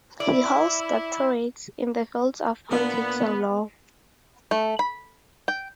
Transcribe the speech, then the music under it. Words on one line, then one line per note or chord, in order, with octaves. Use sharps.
He holds doctorates in the fields of politics and law.
E4 D5
A#2 B3 D4
A3
B5
G5